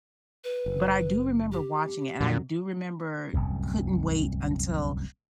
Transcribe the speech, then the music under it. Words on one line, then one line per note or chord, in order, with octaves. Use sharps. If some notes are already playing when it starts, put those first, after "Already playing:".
But I do remember watching it and I do remember couldn't wait until
B4
F#1
G4
F2 A#2 D3 F#3
D1 G1 C2 F#2